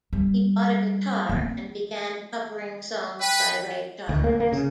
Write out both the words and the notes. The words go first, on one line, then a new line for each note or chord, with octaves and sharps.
He bought a guitar and began covering songs by Ray Charles.
G3
A#3 C4
B4 G5
D2
A#3
A#3
C#3